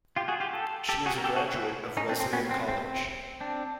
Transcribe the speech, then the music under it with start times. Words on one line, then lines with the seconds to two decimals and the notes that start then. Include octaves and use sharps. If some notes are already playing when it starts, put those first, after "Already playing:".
She is a graduate of Wesleyan College.
0.16 F4 G4
0.28 F#4 G#4
0.40 F4 G4
0.53 G4 A4
0.89 G4 A4
1.06 F#4 G#4
1.18 A#4
1.24 G4 A4
1.36 F#4 G#4
1.48 E4 F#4
1.97 C#4 D#4
2.09 C4 D4
2.20 C4
2.33 B3 C#4
2.51 C4
2.68 C4
2.86 C4
3.40 C4 D4